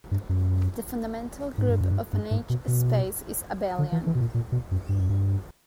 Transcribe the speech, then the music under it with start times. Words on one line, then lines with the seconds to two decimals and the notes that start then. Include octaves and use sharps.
The fundamental group of an H-space is abelian.
0.11 G2
0.29 F#2
1.58 G#2
1.69 G2
1.81 F#2
1.91 G2
2.13 G2
2.31 G#2
2.50 B2
2.68 B2
3.79 D3
3.92 E3
4.07 E3
4.15 B2
4.20 A#2
4.34 A#2
4.52 B2
4.71 F#2
4.89 G2
4.99 F#2
5.10 G2